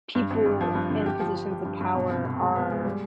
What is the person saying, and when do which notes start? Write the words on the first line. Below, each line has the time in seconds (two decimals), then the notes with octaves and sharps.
people in positions of power are
0.15 G2
0.30 G#1
0.46 G2
0.61 F3
0.75 G2
0.90 D3
1.06 G4
1.20 F3
1.36 F3
1.51 G4
1.65 G2
1.81 G2
1.95 B2
2.10 C2
2.25 C2
2.40 G#3
2.56 B3
2.70 G#3
2.85 G3